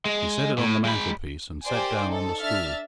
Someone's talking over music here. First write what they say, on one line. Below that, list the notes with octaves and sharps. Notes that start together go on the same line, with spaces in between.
He set it on the mantelpiece, and sat down on the stool.
G#3
A2
G#3 B5
G4 A#4 C5 D5 G5 G#5
D#4 A4
D4 E5 F6 A6